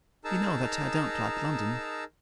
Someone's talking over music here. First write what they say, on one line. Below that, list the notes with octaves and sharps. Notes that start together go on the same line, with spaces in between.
You know that I don't like London.
D#4 G#4 A#4 A5 A#5 E6